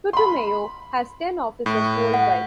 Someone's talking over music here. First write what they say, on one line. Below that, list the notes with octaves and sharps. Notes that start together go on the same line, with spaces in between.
Putumayo has ten offices worldwide.
B5 C6
A2
F#5